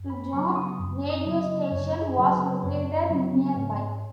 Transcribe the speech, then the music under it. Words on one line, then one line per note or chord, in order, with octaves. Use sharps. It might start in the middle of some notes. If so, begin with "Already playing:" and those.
Criggion Radio Station was located nearby.
Already playing: F#2
B5
C#3 F#3 B3 C#6
D#6
F#2
D#6
C#3 F#3 B3
D#5
F#2 C#5
G#4
C#3 F#3 B3
B4
F#2 C#5
C#3 F#3 B3
G#2